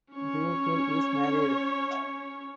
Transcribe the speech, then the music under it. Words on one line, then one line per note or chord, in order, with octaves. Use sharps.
Duffield is married.
C#4 C#5